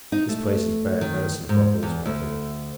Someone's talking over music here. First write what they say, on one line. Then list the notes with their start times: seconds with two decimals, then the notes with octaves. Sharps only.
This place is bad medicine for a horse battle.
0.12 D#4
0.29 A3
1.01 D#3
1.49 G#2
1.83 E2
2.06 D2